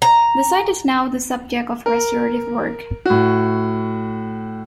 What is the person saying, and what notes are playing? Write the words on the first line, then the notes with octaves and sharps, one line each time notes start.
The site is now the subject of restorative work.
A#5
A#4
A2 F#4